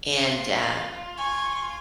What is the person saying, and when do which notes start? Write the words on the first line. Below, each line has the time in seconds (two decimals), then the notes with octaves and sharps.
and, uh,
0.24 F4
1.17 G#5 C#6